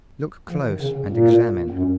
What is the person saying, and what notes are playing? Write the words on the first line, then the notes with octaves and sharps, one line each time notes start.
"Look close, and examine."
F3
D#3
C#3
C#3
A#2
F#2